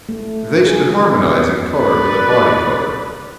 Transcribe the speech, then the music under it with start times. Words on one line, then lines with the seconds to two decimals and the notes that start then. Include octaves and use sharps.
They should harmonise in colour with the body colour.
0.09 A3
0.66 G#4
1.23 B3
1.76 B4 D5